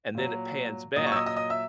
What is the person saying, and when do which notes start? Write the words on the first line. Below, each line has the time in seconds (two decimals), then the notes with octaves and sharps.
and then it pans back,
0.15 A#2 F#3
0.96 A#2 F#3 D#5 D#6
1.06 C#5 C#6
1.12 E6
1.16 D#5 D#6
1.26 D#5 D#6
1.36 D#5 D#6
1.50 E5 E6